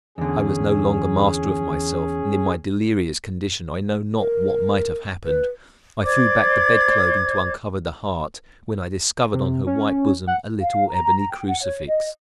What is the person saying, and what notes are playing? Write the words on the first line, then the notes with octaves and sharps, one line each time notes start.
I was no longer master of myself, and in my delirious condition I know not what might have happened; I threw back the bedclothing to uncover the heart, when I discovered on her white bosom a little ebony crucifix.
E2 D3 C#4 G#4
A#4
B4
C5 D5 D6 G#6
C3
C#4
F#5
F5
A#5
G5
F#5
C#5
D#5